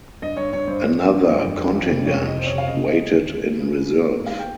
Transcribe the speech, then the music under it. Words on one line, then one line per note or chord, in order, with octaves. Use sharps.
Another contingent waited in reserve.
G2 D#5
G2 C#5
G2 C#5
G2 C5
G2
F3
G2
G2
F2
F3
F2
C3
F2 C#5
C3
D#5
F2 C5
C#5
C3
F5
C#3 D#5
C#3
D#5
G#3
D#2
G#3
G#3
C#3
C#3
G3
A#3
G#2
F5
G5